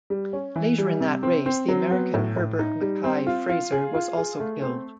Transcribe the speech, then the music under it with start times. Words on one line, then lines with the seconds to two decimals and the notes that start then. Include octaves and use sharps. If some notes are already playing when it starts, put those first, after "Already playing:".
Later in that race the American Herbert MacKay-Fraser was also killed.
0.10 G3
0.33 C#4
0.56 E3
0.78 G3
1.00 C3
1.23 C4
1.46 C4
1.68 F#3
1.91 B3
2.14 A2
2.36 A2
2.59 D#4
2.81 G3
3.04 C4
3.27 F4
3.49 F4
3.72 G#4
3.94 F4
4.17 G#4
4.40 A3
4.62 C4